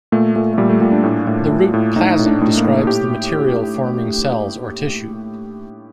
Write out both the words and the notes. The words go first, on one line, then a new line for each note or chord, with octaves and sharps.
The root "-plasm" describes the material forming cells or tissue.
A#2 A3
A#2 A3
A3
A#2 G3
A3
A#2 G3
D4
A2
A2
A2
A2
A2 D#4
D#4
A2
D4
A2 A3
A#3
A2
A2 G4